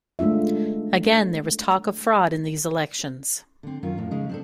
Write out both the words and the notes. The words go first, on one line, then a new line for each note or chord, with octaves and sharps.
Again there was talk of fraud in these elections.
G#3 A3 D4 F4 E5
D3 C4
F#2 D#3 C#4 F4
F2 A2
C#3 G#3 D#4
C4 D4 A4